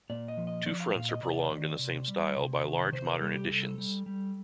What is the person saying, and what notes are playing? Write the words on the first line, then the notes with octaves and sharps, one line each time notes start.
Two fronts are prolonged in the same style by large modern additions.
A#2 D5
D#5
F3
D#5
F3 D5
F5
A#2 F5
D#5
C3 D5
D#3
C3
G3
C3
D#3
C3 C5
A#4
G3 A4
G4
C3 A4
G3
G3